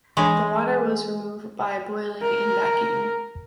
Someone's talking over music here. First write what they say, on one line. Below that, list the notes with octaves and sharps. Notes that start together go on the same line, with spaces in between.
The water was removed by boiling in vacuum.
E3 G#3 D4 C#5
A#4